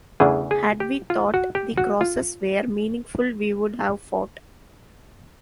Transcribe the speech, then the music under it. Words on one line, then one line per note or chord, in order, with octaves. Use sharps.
Had we thought the crosses were meaningful we would have fought.
E2 C#3 E3 A3 D4 G#4
G#4
G4
F4
F#4
G4
F#4
F4